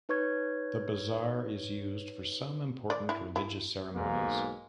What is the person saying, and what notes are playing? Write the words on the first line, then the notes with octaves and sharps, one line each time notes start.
The bazaar is used for some important religious ceremonies.
D#4 B4 C#5 C#6 G#6
D5
E4
E4
B1 G#2 A#3